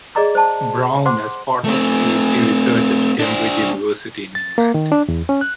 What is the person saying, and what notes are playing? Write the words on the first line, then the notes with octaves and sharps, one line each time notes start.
Brown as part of PhD research at Cambridge University in England.
G#4 D5 D#5 A#5 D6
C5 A5
C5 F#5 C6 D6
A3 C4
D4 C5
A6
A#3
D#3
D4
E2
C#4
F#6